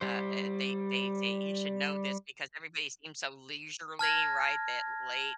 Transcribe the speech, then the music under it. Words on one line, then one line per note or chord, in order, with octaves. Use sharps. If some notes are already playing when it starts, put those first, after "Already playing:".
uh, er, they they they, usually know this because everybody seems so leisurely, right, that late
G3 C5
A5 F6 G#6 A#6